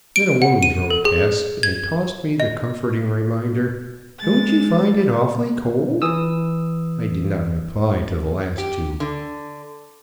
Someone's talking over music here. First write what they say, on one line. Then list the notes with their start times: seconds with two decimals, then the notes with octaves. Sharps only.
Then a woman drove past and tossed me the comforting reminder: "Don't you find it awfully cold?" I did not reply to the last two.
0.16 D7
0.42 F#5
0.63 D#7
0.90 A4
1.05 G#4
1.63 G#6
2.40 D#5
4.17 G#3 A6
6.02 E3 D#6 E6
8.58 G4
9.00 D3